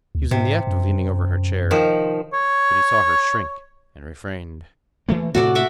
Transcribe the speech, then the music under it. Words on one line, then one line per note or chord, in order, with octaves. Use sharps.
He was in the act of leaning over her chair, but he saw her shrink, and refrained.
D2
G#2 C3
F#2
D#3 F3
C#5
E3 A3 A#3
A2 C3 A3 F#4 A4 D5
E5 F#5 D6